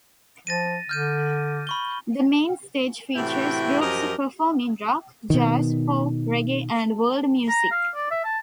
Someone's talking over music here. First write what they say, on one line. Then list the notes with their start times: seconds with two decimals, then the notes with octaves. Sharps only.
The main stage features groups performing rock, jazz, folk, reggae and world music.
0.47 F3 A6 A#6 D#7
0.89 D3 F6 G6 D#7
1.67 B5 C#6 G7
3.15 A2 C3 E3 E4 F#4 G5
3.81 F#2 F3 G4 A#4 D#5
5.30 B2 D#3
7.49 A#5
7.71 F5
7.95 D5
8.11 E5
8.24 A5